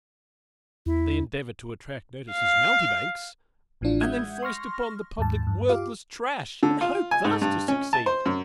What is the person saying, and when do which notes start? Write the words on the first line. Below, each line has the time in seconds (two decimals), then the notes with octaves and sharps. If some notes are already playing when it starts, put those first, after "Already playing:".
They endeavor to attract notice as mountebanks, and then foist upon the public worthless trash, and hope thus to succeed.
0.86 E2 E4
2.32 F5
3.81 A1 A2 E3 F3 D4 F4
4.01 G#3 E5 F#5 D#6 G6 G#6
4.43 C6 C#6 F6 A#6
5.18 D#2 G#2 A5
5.47 G2
5.69 F4 G4 F5 D6
6.63 D3
6.81 F4
7.11 G#5
7.25 G#2
7.41 G2
7.68 C#4
7.93 A5
8.06 C5
8.26 F#2